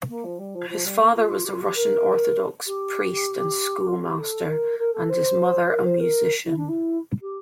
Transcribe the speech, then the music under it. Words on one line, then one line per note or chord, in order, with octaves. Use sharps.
His father was a Russian Orthodox priest and schoolmaster, and his mother a musician.
A#3
F3
G3
F3
F3
G3
A#3
F4
G4
F4
G4
A#4
G4
F4
G4
A4
A#4
A#4
A4
C5
A#4
C5
A#4
E4
D4
E4
G4